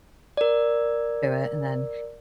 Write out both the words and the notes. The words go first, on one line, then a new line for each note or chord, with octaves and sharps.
it, and then,
A#4 D5